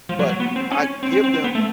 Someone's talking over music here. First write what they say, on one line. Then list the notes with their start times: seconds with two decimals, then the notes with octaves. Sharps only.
but I give them
0.09 F3
0.19 F#3
0.30 F#3
0.40 B3
0.56 C4
0.71 C#4
1.03 C4
1.13 C4
1.24 C4
1.34 C4
1.44 B3
1.55 A3